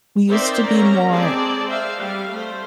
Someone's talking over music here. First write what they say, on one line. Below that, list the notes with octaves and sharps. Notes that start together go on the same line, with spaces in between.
We used to be more
C4 D#4 A#4 C5 D5 E5
A#3 C4 C#4 A#4 A#5
G#3 C4 G#4 D5 A5
C5 E5 F5
G3 F5
A3 C5